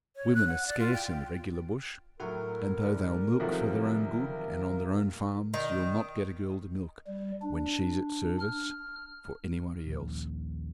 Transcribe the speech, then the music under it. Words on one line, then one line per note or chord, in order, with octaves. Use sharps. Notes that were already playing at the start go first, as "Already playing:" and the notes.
Women are scarce in the regular bush, and though they'll milk for their own good and on their own farms, you'll not get a girl to milk, when she's at service, for anybody else.
C#5
F#6
F#5
D5
F4
G5
A2 F#3 F#4 A#4 F#5
G#2 D3 G3
C2 C3 D#3 F3 F#3 C4 F#4 A4
D#3
G3
D4
F6
D#1 A#1 D#2